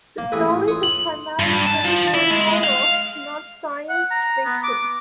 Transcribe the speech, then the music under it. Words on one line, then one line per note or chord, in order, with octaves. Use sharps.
The stories are primarily fantasy or horror, not science-fiction.
A#3
A1 G#4 A4 B4 E6
F4 C#5 C6 D#6
F#7
G2
A5
F3
E4
G#3
F5
F#5
A#5
B3
D6